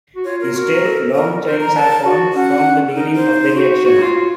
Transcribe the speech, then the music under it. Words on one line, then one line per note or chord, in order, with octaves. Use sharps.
Instead long chains are formed from the beginning of the reaction.
F#4
F4 C#5
A#4
F#4 A#4
A4
A#4
A#4 C5
A#5
A5
F#4
C#4 F#5
D#4 A#4
C5
F#4
F#4 C#5
F4
F4